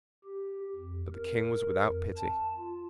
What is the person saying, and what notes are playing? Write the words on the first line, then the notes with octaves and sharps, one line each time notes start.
But the King was without pity.
G4
F2
A#4
F2
A5
F4